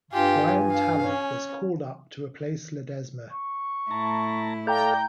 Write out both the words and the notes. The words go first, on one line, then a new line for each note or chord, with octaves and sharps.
Brian Tallet was called up to replace Ledezma.
G2 F4 G4 G#5
F5
C#4
C#6
A2 E4 A5 A#5
A4 D5 F5 G5 A#5 G6